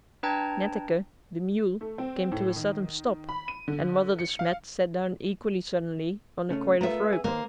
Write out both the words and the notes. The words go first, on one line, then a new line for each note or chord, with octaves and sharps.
Netteke, the mule, came to a sudden stop, and Mother De Smet sat down equally suddenly on a coil of rope.
D4 B4 G5 A5 A#5 G#6
A3
C4
A2
D#3
B5
D#7
D3
C#7
F5
C#3 A3 C#4
A3 B3 F4 A#4 E5
G#4
D#2 A#3 C5